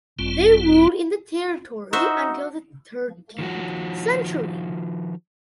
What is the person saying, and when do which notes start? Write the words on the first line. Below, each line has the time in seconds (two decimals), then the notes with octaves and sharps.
They ruled in the territory until the thirteenth century.
0.19 G#1 F#2 G3 C4 F4
1.93 D#4 F#4 C5 E5
3.38 D#3 F3 F#4